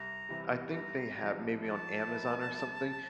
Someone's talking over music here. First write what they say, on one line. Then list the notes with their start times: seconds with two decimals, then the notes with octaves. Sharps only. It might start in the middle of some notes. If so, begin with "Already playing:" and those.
I think they ha maybe on Amazon or something,
Already playing: C2 A#5
0.29 C3 E3 G3
0.74 C2 A#5
1.19 C3 F3
1.64 F3 A5
2.09 A3 E4 A#4 E5
2.53 C2